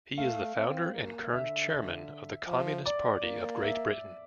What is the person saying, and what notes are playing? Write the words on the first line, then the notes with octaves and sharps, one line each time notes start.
He is the founder and current Chairman of the Communist Party of Great Britain.
A3 F5
C4
A#3
D3 E5
F3
D5
A#3
E5